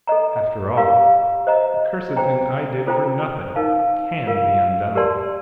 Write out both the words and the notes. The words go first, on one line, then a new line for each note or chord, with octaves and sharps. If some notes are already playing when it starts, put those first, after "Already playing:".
After all, the cursed thing I did for nothing can be undone.
A4 D#5 A#5
G4 A#4 F5 A#5
C5 D#5 A#5
C5 G5 A#5
F4 A4 C5 G5 A#5
D#4 A#4 F5 A5
F4 A#4 F5
G4 A#4 D5 A5 C6